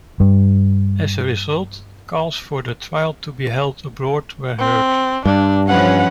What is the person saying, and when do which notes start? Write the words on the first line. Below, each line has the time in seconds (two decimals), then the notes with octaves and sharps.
As a result, calls for the trial to be held abroad were heard.
0.20 G2 G3
4.59 C4
5.25 G2 D4
5.68 E3 F3 C#4 B4 F#5